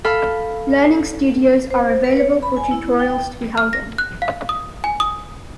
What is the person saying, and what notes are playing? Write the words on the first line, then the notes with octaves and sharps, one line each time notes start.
Learning studios are available for tutorials to be held in.
A4 F5 B5
C5
B4
C#5
B5
G#5
E4
G5
F6
A#6
F#6
F5
D#6
G#5
D#6